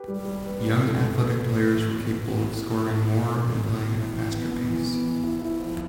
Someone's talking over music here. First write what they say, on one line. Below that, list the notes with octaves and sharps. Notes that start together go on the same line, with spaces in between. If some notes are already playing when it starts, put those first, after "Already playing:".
Young athletic players were capable of scoring more and playing at a faster pace.
Already playing: G4 B4
G3
G3
B4
D4
A3
A3
B4
B4
B4
E3
B3
B3
A2
A2
A2
A2
A3
B2
B2
B2
B2
E4
E3
B3
B3
E3
B3
E3
E4
E4
F3